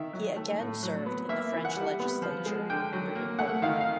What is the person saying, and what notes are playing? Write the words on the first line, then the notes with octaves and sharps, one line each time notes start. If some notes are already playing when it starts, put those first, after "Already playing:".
He again served in the French legislature under Napoleon.
Already playing: D#3 E5
F#3
A3
A2
F#3
B3
A#3 E5
E3
F#5
G3
B3
F3
G#3
D3 G5
F#3
A#3
A3 F#5
D#3 F5
F5